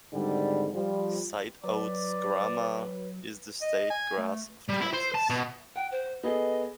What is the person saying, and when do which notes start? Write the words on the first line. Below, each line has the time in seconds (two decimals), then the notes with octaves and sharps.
Sideoats grama is the state grass of Texas.
0.12 G#1 G#2 D3 G3
0.73 F3 G3
1.63 F#3 B4 D5
3.61 D#5
3.90 G#5
4.17 A3
4.69 G3
4.81 E4
4.93 C5
5.14 A5
5.29 B2
5.76 F#5 G5
5.92 C5
6.23 B3 G#4 A4 D#5